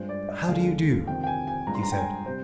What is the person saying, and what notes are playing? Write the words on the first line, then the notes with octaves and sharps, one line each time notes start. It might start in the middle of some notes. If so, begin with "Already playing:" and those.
"How do you do?" he said.
Already playing: G2 F3 G#3 C5
D5
D#5
D#2 D3 G#3 F5
F2 C3 D#3 G5
G5
G#5
G#5
G2 F3 G#3 A#5
C6
A#5
G5
G#5
C3 G3 C5